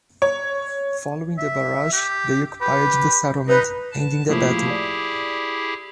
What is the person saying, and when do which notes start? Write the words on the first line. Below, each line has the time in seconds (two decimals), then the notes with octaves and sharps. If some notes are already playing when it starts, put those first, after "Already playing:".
Following the barrage, they occupied the settlement, ending the battle.
0.22 C#5
1.38 E5
1.93 G4
2.61 G4 B4
3.48 D#4 B4
3.91 A5
4.29 A2 F3 A#3 E4 G4 G#4
4.70 D5